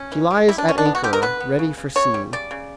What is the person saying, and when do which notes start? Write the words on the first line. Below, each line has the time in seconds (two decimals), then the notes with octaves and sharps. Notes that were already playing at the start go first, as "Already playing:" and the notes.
She lies at anchor, ready for sea.
Already playing: C#4
0.12 E3
0.31 G3
0.49 G3 E4
0.58 D4
0.67 D3 C#4
0.78 D4
0.85 B3
0.95 F#4
1.04 D3 G4
1.13 A#4
1.22 B3 B4
1.40 B3
1.59 C#3
1.78 C#3
1.95 C#3 C#5
2.14 G3
2.33 C#3 D5
2.51 C#3